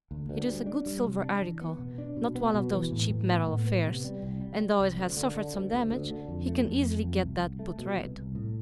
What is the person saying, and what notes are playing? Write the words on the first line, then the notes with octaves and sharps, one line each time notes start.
It is a good silver article--not one of those cheap metal affairs; and though it has suffered some damage, he can easily get that put right.
D2
D2
G3
D4
G3
C3
D4
E3
B3
B2
D4
B2
B3
B2
E3
A2
A2
B3
A2
B3
C3
G3
C2
G3
G3
C2
D2
D3
D3
D2
D2
D2
D3
F2
A3
F2
A3
F2
C2
C2
A3
B2
C2
C2
A2